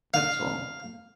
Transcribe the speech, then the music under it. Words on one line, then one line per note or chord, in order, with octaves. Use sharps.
That's all.'
F5